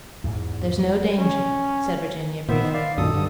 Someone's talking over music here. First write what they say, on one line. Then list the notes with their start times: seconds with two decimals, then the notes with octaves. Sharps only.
"There's no danger," said Virginia briefly.
0.24 E2 G#2
1.19 C#4
2.48 A#2 D#3 B3 C5 E5
2.61 D#3
2.73 D5 F5
2.98 F#2 A#2 D#3 A4 D#6
3.14 G2 D3